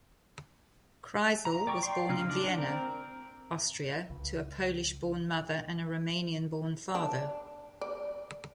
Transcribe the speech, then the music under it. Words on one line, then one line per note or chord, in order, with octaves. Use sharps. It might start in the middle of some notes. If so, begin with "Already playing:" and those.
Kreisel was born in Vienna, Austria to a Polish-born mother and a Romanian-born father.
A#5
D5 G5 C#6 D6
G5 C6
C#3 D#4 F4 F6
D4 D5
C4 A#4
C#2
D4
D5